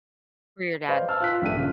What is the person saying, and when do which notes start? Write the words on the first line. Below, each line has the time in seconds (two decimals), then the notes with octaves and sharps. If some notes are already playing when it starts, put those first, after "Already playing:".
For your dad.
0.88 B4 C5 D5 D#5 F5
1.08 A5 E6 F6
1.20 F4 F#6 B6
1.42 A#1 G2 A4 E5 D#7
1.57 A#2 C#3